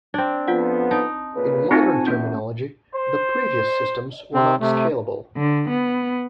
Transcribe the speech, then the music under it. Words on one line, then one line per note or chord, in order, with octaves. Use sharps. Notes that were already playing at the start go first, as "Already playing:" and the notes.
In modern terminology, the previous systems were not "scalable".
C4 D4
F2 F3 B3 F4 F#5
D#4 A5
A#2 C#3 B4
C4 D#4 F4 F#4 A4 C5 G#5 A5
E2 A#3 C#4 G6
C5
C3 C4
C3 A3
D3
B3